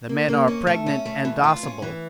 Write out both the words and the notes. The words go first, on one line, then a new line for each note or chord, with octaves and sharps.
The Men are pregnant and docible.
A#3
A#3
C#4
A3
C#4
A3
E3
F4
C#4
E3